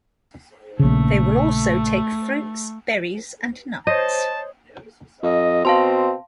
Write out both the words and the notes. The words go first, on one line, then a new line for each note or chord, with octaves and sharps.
They will also take fruits, berries, and nuts.
A#1 C#3 A3
C5 C#5 D#5 A5
F2 D#5
B2 C4 F5 A5 C6